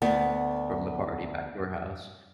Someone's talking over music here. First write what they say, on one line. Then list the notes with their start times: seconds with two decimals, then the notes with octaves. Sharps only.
from the party back to her house,
0.02 D2 B3